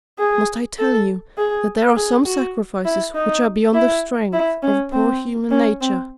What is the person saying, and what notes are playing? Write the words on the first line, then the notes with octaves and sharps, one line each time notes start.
Must I tell you that there are some sacrifices which are beyond the strength of poor human nature?
G#4
A4
G#4
G#4
F#4
E4
D#4
E4
E4
C#4
C4
C#4
C4